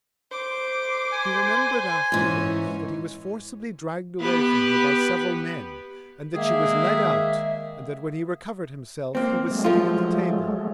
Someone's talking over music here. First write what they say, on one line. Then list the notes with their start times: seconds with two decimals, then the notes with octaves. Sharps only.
He remembered afterwards that he was forcibly dragged away from her by several men, and that she was led out, and that when he recovered himself he was sitting at the table.
0.32 C5 D6
1.12 G#5
2.12 G#2 E3 C#4
4.20 B3 G4 B4
6.35 D#3 G#3 A#3 G#4 E5
9.15 A#3 C4
9.50 F#3 G#3 A3
9.64 F3 F4